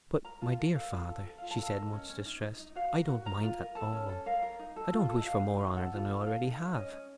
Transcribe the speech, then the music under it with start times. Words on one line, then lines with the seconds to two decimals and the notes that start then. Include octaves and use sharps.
"But, my dear father," she said, much distressed, "I don't mind at all. I don't wish for more honor than I already have!"
0.25 A#4 A#5
0.41 F4 A5
0.59 A#4
0.75 A4 F5
0.92 F4
1.08 A4
1.26 A4
1.38 F5
1.41 F4
1.51 A5
1.58 A4 F5
1.76 A#4 D#5
1.93 C#4
2.09 C#4
2.26 D#4
2.42 D#4
2.60 D#4
2.75 F#4 F5
2.92 A#4
3.09 F#4
3.26 A#4 A#5
3.43 F4
3.58 A#4
3.75 A4 A5
3.92 C#4
4.09 A4
4.26 A#4 F5
4.42 A#4
4.59 D#4
4.76 A4
4.93 F4
5.09 A4
5.17 D#5
5.26 F#4 F5
5.43 D#4
5.59 D#4
5.76 A4 F#5
5.93 F4
6.10 A4
6.26 A4 F5
6.43 D#4
6.59 D#4
6.76 C#4 D#5
6.93 C#4